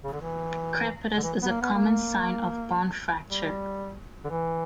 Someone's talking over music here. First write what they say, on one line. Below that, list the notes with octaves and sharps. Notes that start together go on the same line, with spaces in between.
Crepitus is a common sign of bone fracture.
C#3
D3
E3
D3
E3
B3
A#3
B3
A#3
G3
D3
E3